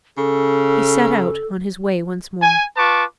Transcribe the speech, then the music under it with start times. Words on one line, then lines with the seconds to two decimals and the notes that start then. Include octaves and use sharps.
He set out on his way once more.
0.18 C#3 A4
2.41 G#5
2.77 F4 B4 A5 C#6 D6